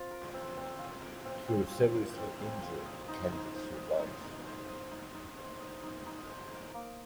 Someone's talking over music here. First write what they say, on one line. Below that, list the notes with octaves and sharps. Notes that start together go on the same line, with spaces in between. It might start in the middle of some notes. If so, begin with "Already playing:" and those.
Though seriously injured, Kennedy survives.
Already playing: C4 F4
A#4
C4
C4
F4
A#4
C4
C4
F4
A#4
C4
C4
F4
D#5
D#4
D#4
C5
D#5
D#4
D#4
C5
D#5
D#4
D#4
C5
D#5
D#4
D#4
C5
A#4
A#3